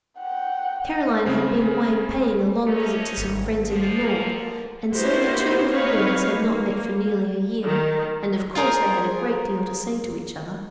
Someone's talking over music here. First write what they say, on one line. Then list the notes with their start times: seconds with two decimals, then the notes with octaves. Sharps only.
Caroline had been away paying a long visit to some friends in the North, and so the two little girls had not met for nearly a year, and of course they had a great deal to say to each other.
0.19 F#5 G5
1.25 C#3 G#3 C4
2.67 C3 A3 C#4 D#4
3.18 G#1
3.71 F2 D3 F3
4.02 A#3
4.92 A#3 B3 E4 F#4 G4 C5
5.71 C4 D#4 B4 C#5 F5
6.31 A#3
7.64 D#3
8.55 F4 G#4 A#4 C5